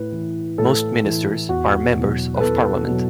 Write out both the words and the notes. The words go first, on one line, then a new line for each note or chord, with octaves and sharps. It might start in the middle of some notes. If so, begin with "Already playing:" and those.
Most ministers are members of Parliament.
Already playing: A2 B4
E3
A2 A4
E3
E2 F#4
B2 F#3
B4
E2 A4
B2 F#3